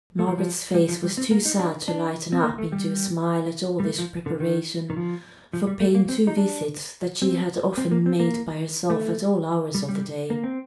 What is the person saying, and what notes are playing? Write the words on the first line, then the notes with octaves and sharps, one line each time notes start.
Margaret's face was too sad to lighten up into a smile at all this preparation for paying two visits, that she had often made by herself at all hours of the day.
A3
F3
F3
G3
F3
G3
C4
A#3
D#4
D4
D4
C4
A#3
A3
G3
G3
A3
F3
D3
D#3
D#3
F3
F3
G3
A3
A#3
C4
D#4
D4
C4
C4
A#3
C4
A#3
A3
G3
G3
A#3
C4